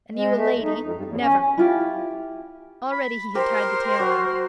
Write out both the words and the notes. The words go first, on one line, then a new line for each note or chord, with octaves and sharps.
"And you a lady; never." Already he had tied the tail round her.
G#3
A3
E2
D#4
F2
G2
E2
C#4
E4 F4 G4
B5
G4 A#4 C5
F#3